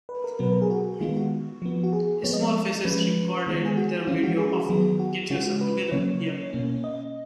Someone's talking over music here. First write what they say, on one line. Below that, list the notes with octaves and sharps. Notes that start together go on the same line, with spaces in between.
The Small Faces recorded their video of "Get Yourself Together" here.
B4
A#4
B2 F#3 B3 B4
A#4
G#4
F#4
D#3 G#3 B3 F4
F#4
F3 B3
F#4
G#4
F3 G#3 B3 C#5
D#5
F3 G#3 C#4 B4
D#3 G#3 B3
G#4
F#4
F3 G#3 C#4 F4
F#4
G#4
F#4
D#3 F#3 B3 G#4
F#4
C#3 G#3 C#4 F#4
F#4
B4
C#3 F#3 A#3 C#4 C#5
B2 A#3 C#4
D#5